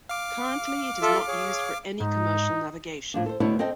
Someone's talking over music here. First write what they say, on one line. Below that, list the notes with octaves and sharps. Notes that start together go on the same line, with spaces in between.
Currently, it is not used for any commercial navigation.
F5 D6
F4 A4 E5
G#4 C#5
G#2 D#4
A2 F3 D4
A4 C5
D2 B2 A3 D4 E4 C#5
C4 A4 D#5 G5